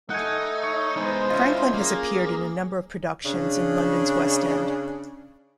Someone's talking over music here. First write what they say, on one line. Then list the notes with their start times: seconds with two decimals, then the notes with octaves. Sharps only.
Franklin has appeared in a number of productions in London's West End.
0.10 A3 D#4 F#5 G#5
0.63 C#5
0.96 G#3 B3 D#4 C5
1.30 C#4 E4 F4 D#5
1.74 A#3 G#4
3.24 C#3 D4